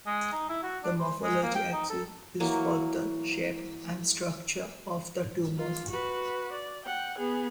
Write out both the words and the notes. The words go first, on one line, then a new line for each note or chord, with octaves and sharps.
The morphology axis is for the shape and structure of the tumor.
G#3
D#4
E4
F#4
D4
C5
G#3
A#3
G5
D#4
A4
E3 F#3 A#3
F4
F#4 B4
D5
F#5 G5
B3 G#4